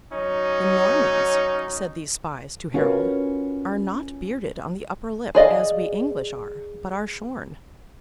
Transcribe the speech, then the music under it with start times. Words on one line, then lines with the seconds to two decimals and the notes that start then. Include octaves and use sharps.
'The Normans,' said these spies to Harold, 'are not bearded on the upper lip as we English are, but are shorn.
0.12 F#3 C#4 D#4
2.74 C#4 F4 F#4 A#4 B4
5.35 G#4 D5 D#5 F5